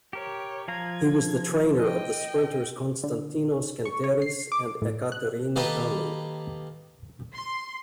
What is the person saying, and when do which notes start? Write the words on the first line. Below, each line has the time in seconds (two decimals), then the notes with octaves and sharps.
He was the trainer of the sprinters Konstantinos Kenteris and Ekaterini Thanou.
0.13 G4 A#4 C#5
0.68 F3 F5 A#5 G#6
1.79 D#5 G5
3.04 D3
3.85 C#6
4.04 C#5
4.22 C7
4.52 D6
4.82 A2
5.12 F#6
5.56 D#3 A#3 G4 A4 B4
7.34 C6